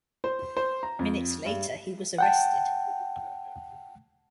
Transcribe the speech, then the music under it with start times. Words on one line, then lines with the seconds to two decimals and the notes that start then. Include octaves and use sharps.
Minutes later he was arrested.
0.24 C5
0.57 C5
0.83 A#5
0.99 F2
1.45 G2
2.18 F#5 G5 A5